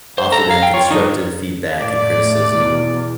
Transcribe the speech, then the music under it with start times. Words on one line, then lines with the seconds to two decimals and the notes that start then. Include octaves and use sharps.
offer them constructive feedback and criticism,
0.18 C5
0.32 A4 A#5
0.50 F5
0.63 G5
0.74 F4 C#5
0.91 F#2 D#3 D4 D#4
1.81 A2 A3 D5
2.53 E2 B2